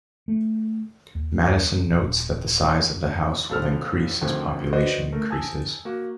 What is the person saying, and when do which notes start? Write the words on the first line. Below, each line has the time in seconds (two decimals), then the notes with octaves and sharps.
Madison notes that the size of the House will increase as population increases.
0.28 A3
1.15 D#2
1.85 D#1
3.49 B1 F3 A4 E6 F6
4.21 D2 D3 D#3 F3 C4
4.73 F#4 B4 C5 D5 D#5 F#5
5.12 A3 A#4
5.30 G#5 A5 D#6 E6 G#6
5.85 A#3 F#4